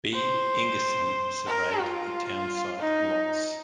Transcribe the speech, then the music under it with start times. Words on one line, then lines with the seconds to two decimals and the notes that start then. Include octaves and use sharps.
B. Ingerson surveyed the townsite lots.
0.14 C5
1.47 A#4
1.80 F4
2.80 D#4